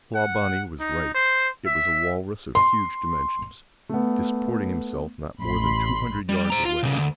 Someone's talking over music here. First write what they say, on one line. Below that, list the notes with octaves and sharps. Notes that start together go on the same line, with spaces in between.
Clawbonny was right, it was a walrus of huge dimensions, disporting himself not more than two hundred yards away.
F#5
D#4
C5
E5
C6
A3 B3
A1 B5 C6
G3
C5 A#5
F4
C2 C#3
D2